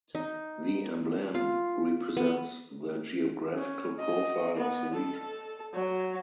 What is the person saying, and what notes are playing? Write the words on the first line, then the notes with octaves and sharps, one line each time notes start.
The emblem represents the geographical profile of the region.
D#4
F4
B3
C#4
D#5
B3
A4
F#3